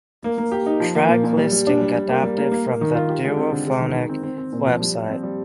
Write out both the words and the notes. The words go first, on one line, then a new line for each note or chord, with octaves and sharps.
Track listing adapted from the Duophonic website.
A#3
A#3
G4
D#4
F3
A#3
A#2
A#2
G3
G3
D4
G3
G3
A#3
G3
A#3
A#3
A#3
D#3
F4
G4
G#3
C4
D3
G#3
D#3
D#3
C4
C4
C4
A#2
F3
G3
G3
C4
G3